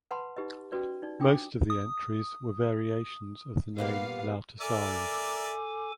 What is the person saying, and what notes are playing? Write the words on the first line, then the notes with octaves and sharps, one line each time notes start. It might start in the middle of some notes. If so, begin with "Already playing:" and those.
Most of the entries were variations of the name Lauttasaari.
B4 F#5 A5 B5 C6
D#4 G4 B4 D#5
C#4 F#4 B4 D5
D#4 D5
D4 F4 G5 D6 D#6
D#6
G2 A#2 B3 F5
A4 A#4 D5 E5 G#5 D6